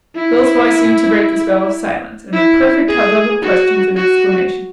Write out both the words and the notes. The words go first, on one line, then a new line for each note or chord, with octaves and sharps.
Phil's voice seemed to break the spell of silence, and a perfect hubbub of questions and exclamations began.
E4
E4
G#4
F#4
F#4